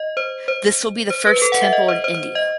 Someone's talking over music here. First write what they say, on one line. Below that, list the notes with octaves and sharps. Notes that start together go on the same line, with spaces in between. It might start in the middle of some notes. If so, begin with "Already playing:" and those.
This will be the first temple in India.
Already playing: D#5
C5
C5
C5
B4
A4
F#5
E5
D#5
C5
C5
C5
D#5